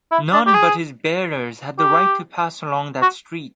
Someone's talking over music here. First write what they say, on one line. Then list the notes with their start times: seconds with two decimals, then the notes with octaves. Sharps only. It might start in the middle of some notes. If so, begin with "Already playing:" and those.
None but his bearers had the right to pass along that street.
0.11 E4
0.33 D4
0.46 G4
0.54 G#4
1.78 G4
3.02 F#4